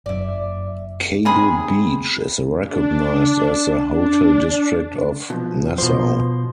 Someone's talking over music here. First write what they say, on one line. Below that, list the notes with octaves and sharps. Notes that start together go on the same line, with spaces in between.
Cable Beach is recognised as the hotel district of Nassau.
F#1 F#2 D5 E5
C3 G#4 B5
D4
D4
B2 F3
B2 F3 C5